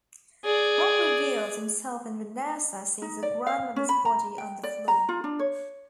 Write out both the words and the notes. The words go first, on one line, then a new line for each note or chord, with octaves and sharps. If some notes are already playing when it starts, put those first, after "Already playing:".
Bob reveals himself and Vanessa sees her grandmother's body on the floor.
G#4 D5
D#4
D5
F5
C#4
B5
A#5
G5
D5
A#5
F4
D4
C#5